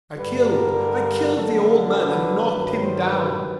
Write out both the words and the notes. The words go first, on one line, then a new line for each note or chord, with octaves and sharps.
I killed, I killed the old man and knocked him down....
G2 D3 G3 B4
A#4
F#2 D3 F#3 A4
A#4
B4
G2 D#3 F#3
C5
B4